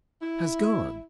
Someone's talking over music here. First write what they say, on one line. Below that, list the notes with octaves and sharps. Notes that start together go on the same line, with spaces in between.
"Has gone."
E4